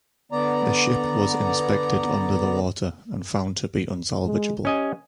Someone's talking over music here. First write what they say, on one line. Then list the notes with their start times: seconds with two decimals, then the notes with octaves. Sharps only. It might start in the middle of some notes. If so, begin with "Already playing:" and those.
The ship was inspected under the water and found to be unsalvageable.
0.32 D3 B3 D5 A#5
4.26 G#3
4.65 C#4 G4 D#5 G#5